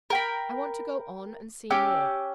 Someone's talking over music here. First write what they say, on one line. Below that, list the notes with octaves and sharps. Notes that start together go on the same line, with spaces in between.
I want to go on and see more.
A#4 G5 B5
C#4 G4 D6 E6